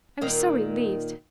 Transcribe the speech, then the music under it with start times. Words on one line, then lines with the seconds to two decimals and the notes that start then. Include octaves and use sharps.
I was so relieved!
0.21 A#2 D#3